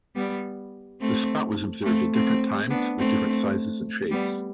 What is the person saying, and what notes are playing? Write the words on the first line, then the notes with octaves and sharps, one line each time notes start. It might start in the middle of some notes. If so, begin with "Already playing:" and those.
The spot was observed at different times with different sizes and shapes.
G3 B3
A3 C4
A3 C4
A3 C4
B3 D4
A3 C4
G3 B3